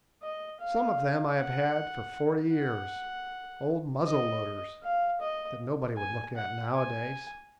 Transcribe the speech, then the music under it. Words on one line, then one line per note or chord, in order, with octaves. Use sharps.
Some of them I have had for forty years, old muzzle-loaders that nobody would look at nowadays.
D#5
F5
F#5
F#5
D#5
F5
D#5
G#5
F#5
G#5